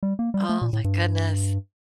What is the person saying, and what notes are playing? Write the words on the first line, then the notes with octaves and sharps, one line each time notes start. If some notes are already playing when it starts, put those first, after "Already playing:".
Oh, my goodness.
G3
A#3
G3
A3
A#2
A2
G2